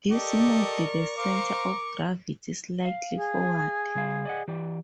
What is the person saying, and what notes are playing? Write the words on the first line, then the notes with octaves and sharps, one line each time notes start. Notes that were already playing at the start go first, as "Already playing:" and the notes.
This moved the center of gravity slightly forward.
G4 A4 A#4 D5 D#5 C#6
C5 F5 A#5 D6
F5
G#4
C#3 G3 F5
D5 D#5 F#5
E3 G4 D5